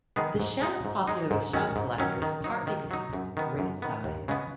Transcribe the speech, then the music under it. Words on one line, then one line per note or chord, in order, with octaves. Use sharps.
The shell is popular with shell collectors partly because of its great size.
D#3 G#3 B3 G#4
G#2
G#3 D#4
G#2
G#3 D#4
G#2
D#3 F#3 C#4
G#2
D#3 F#3 C#4
D#3
F#3 D#4
D#3
F#3 D#4
F#2
D#3 B3
F#2
D#3 B3
D#2
C#3 G#3 B3